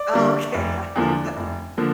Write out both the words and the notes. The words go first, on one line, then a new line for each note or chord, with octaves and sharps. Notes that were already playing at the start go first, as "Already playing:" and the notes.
oh okay, gotcha.
Already playing: D5
D3 G3 A#3
F1
E2 D3 F3 A#3
F1
D3 F3 A#3